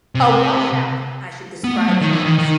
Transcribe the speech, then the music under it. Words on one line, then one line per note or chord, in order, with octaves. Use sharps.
A washout, I should describe him as.
C3
B3
A3
F#3
D#3
E3
D#3
D#3